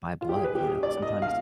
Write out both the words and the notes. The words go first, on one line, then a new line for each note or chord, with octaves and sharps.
by blood, you know? Sometimes
F4
G4
G#4
B4
G4
G#4
D5
D#5
F5